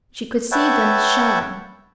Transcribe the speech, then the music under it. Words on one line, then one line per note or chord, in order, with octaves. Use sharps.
She could see them shine.
B4 C#5 E5 F#5 G5 A5